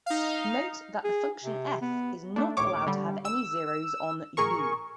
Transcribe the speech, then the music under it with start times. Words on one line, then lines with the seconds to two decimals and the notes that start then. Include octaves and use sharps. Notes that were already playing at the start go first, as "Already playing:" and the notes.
Note that the function "f" is not allowed to have any zeros on "U".
0.06 D#4 F5
1.04 G#4
1.44 C3
1.81 B3
2.36 A3 D4
2.57 A#1 D#2 A2 C#5 D6
2.87 D3 G3
3.25 E6
4.37 A1 G#4 A#4 C#6